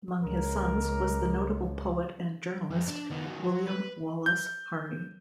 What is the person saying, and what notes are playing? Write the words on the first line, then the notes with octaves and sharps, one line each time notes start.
Among his sons was the notable poet and journalist William Wallace Harney.
C#2 A#4
F2
D4
D#3 B3
D#3 F#3
F#3
B4
G6